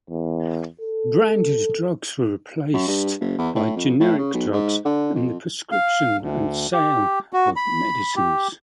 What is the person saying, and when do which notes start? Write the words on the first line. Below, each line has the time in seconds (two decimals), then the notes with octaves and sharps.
Branded drugs were replaced by generic drugs in the prescription and sale of medicines.
0.10 E2
0.82 A4
2.73 F#2
2.88 G2
3.20 F#1
3.38 E2
3.55 A2
3.76 F2
4.00 A2
4.18 C#3
4.34 B1
4.52 G#2
4.85 D3
5.15 F2
5.72 F5
6.21 D2
6.73 G4
7.33 F#4
7.56 B5
8.16 G4